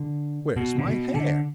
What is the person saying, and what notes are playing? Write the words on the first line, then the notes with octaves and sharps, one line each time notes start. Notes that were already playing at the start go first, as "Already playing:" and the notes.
Where's my hair?
Already playing: D3
B2
D3
B2
D3